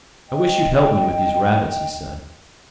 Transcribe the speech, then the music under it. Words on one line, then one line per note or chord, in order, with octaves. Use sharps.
"I wish you'd help me with these rabbits," he said.
D#5 G5